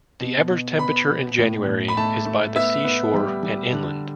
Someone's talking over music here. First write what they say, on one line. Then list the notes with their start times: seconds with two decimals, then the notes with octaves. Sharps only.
The average temperature in January is by the seashore and inland.
0.20 B2
0.50 B2
0.79 B3 B5
1.09 B2
1.38 A2
1.67 A2
1.88 B5
1.97 A3 A5
2.26 A3
2.56 B3 E5
2.85 B3
3.14 G3
3.43 G3
3.73 D3